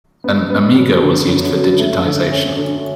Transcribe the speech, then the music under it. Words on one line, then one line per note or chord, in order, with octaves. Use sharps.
An Amiga was used for digitisation.
B3
B3
F#3
D3
F#2
F#3
A3
D3
C#4
D3